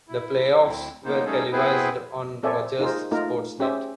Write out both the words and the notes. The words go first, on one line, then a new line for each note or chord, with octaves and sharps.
The playoffs were televised on Rogers Sportsnet.
E4
D2 C4 E4
A#3 B3 D#4 C5
G3 A3 C#4 D#4 G#4 A4
B3 C4 E4 G#4 B4 C5
C4 A4 C#5 D5 E5 G#5
D#4 F4 G#4 A#4 C5
A3 D#4 F4 A#4
C#4 G4 G#4 C5 E5